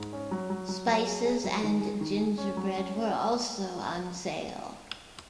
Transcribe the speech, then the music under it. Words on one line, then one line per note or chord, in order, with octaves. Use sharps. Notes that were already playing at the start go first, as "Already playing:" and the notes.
Spices and gingerbread were also on sale.
Already playing: G#2
C#4
F#3
F#3
F#3
F#3
G#4
G#4
F#3
D#3
G#4
D#3
G#4
C#4
F#3
C#4
C#4